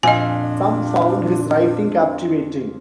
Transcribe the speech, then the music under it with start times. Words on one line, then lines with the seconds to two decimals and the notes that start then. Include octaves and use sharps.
Some found his writing captivating.
0.03 F2 A#2 D4 D#5 F5 G#5